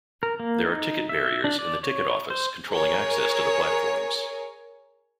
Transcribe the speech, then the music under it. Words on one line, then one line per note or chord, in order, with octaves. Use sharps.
There are ticket barriers in the ticket office controlling access to the platforms.
A#4
A#3
D#4
E5
D4
D5
C#5
C5
G#4 A#4 C#5